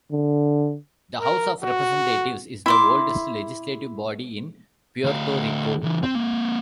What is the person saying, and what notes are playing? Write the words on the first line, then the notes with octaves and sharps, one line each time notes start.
The House of Representatives is the oldest legislative body in Puerto Rico.
D3
A#4
F#4
E4 C6 D6
D2 F5
C#3 E3
C4
A#3 C4